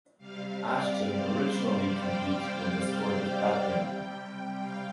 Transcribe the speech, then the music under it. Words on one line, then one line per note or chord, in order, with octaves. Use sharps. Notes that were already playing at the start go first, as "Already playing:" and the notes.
Ashton originally competed in the sport of badminton.
C3 G3 F5
D5
C5
D5
G5
F5
F5
F5
G5
C3 G3
F5